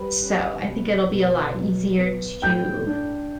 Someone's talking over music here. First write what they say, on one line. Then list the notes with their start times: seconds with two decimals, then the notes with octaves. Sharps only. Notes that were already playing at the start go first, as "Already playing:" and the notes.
so I think it'll be a lot easier to
Already playing: G3 B4 B5
0.22 C#4
0.66 B2
1.10 B2
1.54 F#3
1.99 B3
2.42 A2 G5 G6
2.87 D4